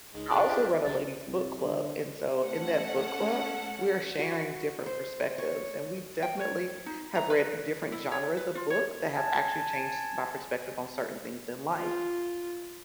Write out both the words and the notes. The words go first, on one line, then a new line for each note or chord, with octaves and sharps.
I also run a ladies' book club. And so in that book club, we are sharing different perspectives, and we definitely have read different genres of book that have actually changed my perspective on certain things in life.
C#2 G#3 D#4
C2 F#2 C#3 F3 D4 G#4 D5
F3 F4 G4 G#4 E5 D7
D5
C2 D3 D#4 G4 A5
C2
D3
A3 C#4 A4 F#5
F#4
C5
C#5
G5
C#5
D#4
A#5
B4
E4
C#5
B4
F4
C#5
G#5 A5
F4